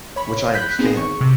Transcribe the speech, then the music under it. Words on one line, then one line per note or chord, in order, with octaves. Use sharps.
which I understand.
C#5 B5
B5 F#6 G6 B6
B3 C4 D#4 G#4
C#6
C3